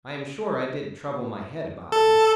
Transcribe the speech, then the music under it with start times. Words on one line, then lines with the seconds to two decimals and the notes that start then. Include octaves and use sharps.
I am sure I did trouble my head about them.
1.92 A4